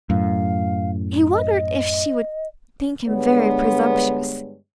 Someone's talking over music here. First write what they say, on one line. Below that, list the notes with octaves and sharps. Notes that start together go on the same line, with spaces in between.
He wondered if she would think him very presumptuous.
F#2 A2 F5
D#5
G2 D3 G#3 B3 C#5